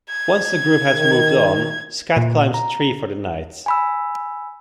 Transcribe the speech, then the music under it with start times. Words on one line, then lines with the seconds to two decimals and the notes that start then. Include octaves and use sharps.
Once the group has moved on, Skat climbs a tree for the night.
0.10 G#6
0.95 D#3
2.17 A#2
2.54 A#5
3.66 G#5 B5 E6